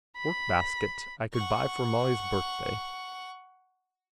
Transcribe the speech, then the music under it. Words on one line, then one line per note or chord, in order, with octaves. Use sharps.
Workbasket I could buy for Molly's birthday.
B5
F#5 C#6